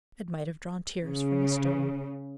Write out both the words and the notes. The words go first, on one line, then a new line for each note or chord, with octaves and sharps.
It might have drawn tears from a stone.
C#3